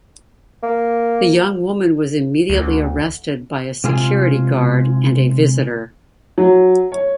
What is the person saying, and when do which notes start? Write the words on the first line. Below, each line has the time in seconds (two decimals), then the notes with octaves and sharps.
The young woman was immediately arrested by a security guard and a visitor.
0.63 A#3
2.50 D2
3.84 C3 G#3 F4 G#4
6.38 F#3
6.92 C#5